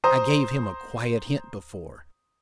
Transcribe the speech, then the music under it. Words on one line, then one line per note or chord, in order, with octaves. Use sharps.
I gave him a quiet hint before.
C5 A#5 D#6